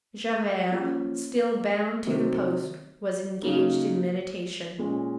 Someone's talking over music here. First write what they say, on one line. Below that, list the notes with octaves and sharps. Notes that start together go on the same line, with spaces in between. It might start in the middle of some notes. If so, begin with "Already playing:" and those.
Javert, still bound to the post, was engaged in meditation.
F3 A#3 C#4
C3 D#3 F#3 C4
C#3 F#3 A#3 D#4
A#2 G#3 C#4